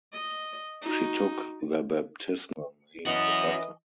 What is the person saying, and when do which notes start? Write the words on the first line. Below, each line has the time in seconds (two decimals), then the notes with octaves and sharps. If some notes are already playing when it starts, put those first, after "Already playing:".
She took the baptismal name "Rebecca".
0.13 D#5
0.82 D#4 F#4
3.06 E3 C#4 F#4 D#5